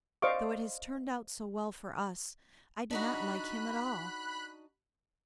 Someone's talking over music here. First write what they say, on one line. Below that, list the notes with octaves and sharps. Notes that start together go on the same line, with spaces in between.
Though it has turned out so well for us, I do not like him at all.
C5 D5 D#5 F5 C#6 D6
D4 D#4 F#4 B5 F#6